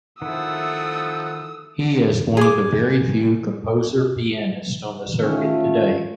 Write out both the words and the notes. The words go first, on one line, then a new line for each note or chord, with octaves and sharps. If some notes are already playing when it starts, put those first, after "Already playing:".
He is one of the very few composer-pianists on the circuit today.
D#3 F3 A3 E4 F#5 D#6 E6
G#4 D6
D#3 A3 C#4 F4